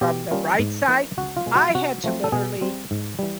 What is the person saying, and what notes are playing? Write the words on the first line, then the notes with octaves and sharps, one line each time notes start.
from the right side, I had to literally
B2 G4
G3 A#3 C#4 F4
G#2
F3 A#3 D#4
C#2 F#4
F4
B2 G#3
F#4
C3 F#4
F3 A3 C4
A4
B2 G#4
G3 C4
G#2
E3 G3